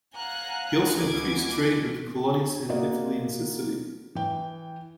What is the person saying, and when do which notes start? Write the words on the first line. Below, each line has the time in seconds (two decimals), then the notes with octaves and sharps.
He also increased trade with the colonies in Italy and Sicily.
0.14 F5 F#5 G#5 A#5 F#6
0.96 D2 B2 A#3 G#5 D6 G#6
2.69 A#3 F#4 D5 D#5
4.15 E3 G5